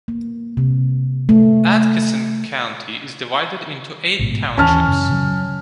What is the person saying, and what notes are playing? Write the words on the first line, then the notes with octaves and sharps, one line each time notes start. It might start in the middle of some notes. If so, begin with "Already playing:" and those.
Atchison County is divided into eight townships.
A#3
C3
A3
A1 G#2 B2
D#2 E3 C#4 A5 F6
F#2 C#3
C#3 E3 F#3